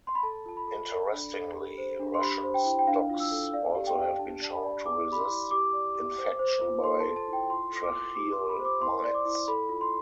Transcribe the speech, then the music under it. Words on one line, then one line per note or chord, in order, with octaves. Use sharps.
Interestingly, Russian stocks also have been shown to resist infection by tracheal mites.
C6
B5
A4 A5
F4 A5
B5
A4
D5
D4
A4
G4
C5
D4
C6
G4 B5
C5
G5
E4
G5
D4 F5
F4
E6
A4
D5 F5
G4
G5
G4
D4 A5
D5 A5
B5
D5
E4 D6
G4
B5
C6
E4
G4 D6
D5
G4
C5
C5
F4
A4 C6
A5
A4
A5
E4 G5
F4 C6
A4 C6
D6
F4
G4 D6
C6
G4
B5
C5
D6
E4 C6
D5
D6
E4
A4 B5
F4
C6